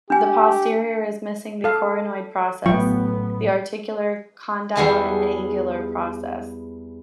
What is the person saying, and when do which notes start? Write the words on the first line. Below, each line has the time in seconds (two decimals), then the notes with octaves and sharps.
The posterior is missing the coronoid process, the articular condyle and the angular process.
0.10 D4 G4 G#5
1.64 A4 F5
2.66 A1 F#3 B3 F4 G5 C#6
4.76 E2 G3 B3 G#4 E5 A5